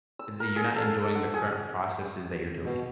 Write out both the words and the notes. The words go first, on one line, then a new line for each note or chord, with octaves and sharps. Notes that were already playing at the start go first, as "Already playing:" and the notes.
the you're not enjoying the current processes that you're doing,
E6
A#4
G#4
A4
F#5
G#4
B2